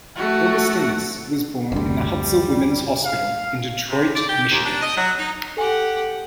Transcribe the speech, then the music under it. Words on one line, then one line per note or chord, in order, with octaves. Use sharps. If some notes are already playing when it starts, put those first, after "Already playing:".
Augustinus was born in the Hutzel Women's Hospital in Detroit, Michigan.
A3 F#4
F#1 D2 G3
F5
C3
D5
G4
D#2
D4
D#5
F#3
D#4
G4 A4 F#5 G#5